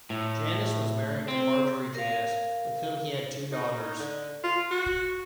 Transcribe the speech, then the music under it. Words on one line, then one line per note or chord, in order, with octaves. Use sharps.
Janis was married to Marjorie Janis, with whom he had two daughters.
A2
C4
A#4 F5
D#4
D3
F4
F#4